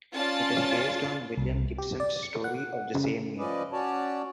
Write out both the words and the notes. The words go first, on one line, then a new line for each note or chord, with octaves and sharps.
It is based on William Gibson's story of the same name.
C#4 F4 D5 A5 A6
C2
G4
D5
C#7
F#5
C#3
F3 C#4 B4 D5 D#5
C#4 F#4 C#5 D5 A5